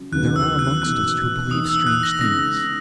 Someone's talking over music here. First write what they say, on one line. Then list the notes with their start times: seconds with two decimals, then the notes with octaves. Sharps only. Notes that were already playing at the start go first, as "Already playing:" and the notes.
There are amongst us, who believe strange things.
Already playing: C#3 F#3
0.12 D#2 C#3 F#3 B3 F#6
0.36 E6
0.59 F#6
0.82 E2 B2 A#3 D#4 F#6
1.51 E2 B2 A#3 D#4 D#6
1.69 E6
1.87 F#6
2.03 A#6
2.21 C#3 G#3 B3 D#4 A#6